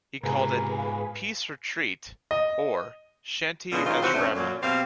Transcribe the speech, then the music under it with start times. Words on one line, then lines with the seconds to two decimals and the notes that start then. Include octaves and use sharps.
He called it "Peace retreat", or, "Shanti Asrama".
0.23 G#2 C3 F4 G#4 A#4 B4
0.78 F5
2.31 D#5
3.72 B2 D3 G#3 B3 C#4 F4
3.85 D#3 F#3 G#3 F4
4.02 C3 E3 C4 F#4 C5
4.14 F2 D3 F#3 A3 C4 C#4
4.35 F#2 A#2 F#3
4.62 B2 C4 G4 F5